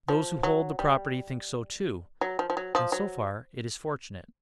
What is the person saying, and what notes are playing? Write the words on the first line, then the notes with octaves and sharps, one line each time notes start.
Those who hold the property think so too, and so far it is fortunate.
F3
F#3
G3
F#3
F3
F3
F#3
F3
F#3